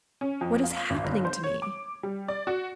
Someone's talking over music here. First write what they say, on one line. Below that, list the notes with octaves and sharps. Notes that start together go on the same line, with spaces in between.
What is happening to me?
C#4
F2
F4
G#1
G1
C5
C#5
D6
G3
D5
F#4